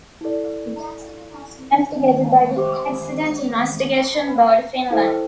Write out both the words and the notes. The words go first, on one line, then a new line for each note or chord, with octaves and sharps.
The accident was investigated by the Accident Investigation Board Finland.
E4 A4 D5
G4 C5 E5 G5 D6
E4 A4 C5 G5